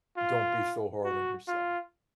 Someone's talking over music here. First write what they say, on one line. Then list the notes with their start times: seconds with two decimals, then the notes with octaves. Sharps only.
don't be so hard on yourself.
0.17 F4
1.04 F#4
1.48 F4